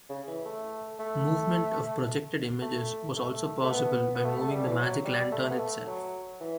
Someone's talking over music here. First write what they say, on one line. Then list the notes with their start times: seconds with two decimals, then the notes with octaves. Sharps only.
Movement of projected images was also possible by moving the magic lantern itself.
0.09 C#3
0.27 E3
0.45 A3
1.00 A3
2.62 A3
3.16 A3
3.63 A3
3.71 B3
4.15 B3
4.25 A3
4.41 A3
4.52 G3
4.67 E3
4.78 F#3
5.05 G3
5.32 A3
5.50 B3
5.59 A3
5.87 F#3
6.41 E3